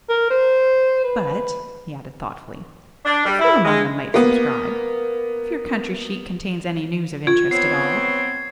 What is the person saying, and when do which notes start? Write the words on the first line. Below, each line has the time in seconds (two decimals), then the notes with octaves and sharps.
But," he added, thoughtfully, "a few among them might subscribe, if your country sheet contains any news of interest at all.
0.09 A#4
0.30 C5
1.04 B4
3.04 D4
3.25 G3
3.39 E4
3.65 G#3
4.14 A#3 B3
7.27 F4 G#6
7.51 B3 C4 C#5 C7